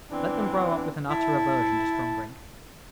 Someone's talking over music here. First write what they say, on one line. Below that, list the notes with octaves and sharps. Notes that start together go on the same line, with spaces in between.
Let them grow up with an utter aversion to strong drink.
E3 B3 C4 D4
E4 A5